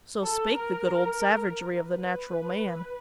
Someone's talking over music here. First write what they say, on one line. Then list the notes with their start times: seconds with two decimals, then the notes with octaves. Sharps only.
So spake the good old savagery of the natural man.
0.24 A4
0.55 A#4
1.80 B4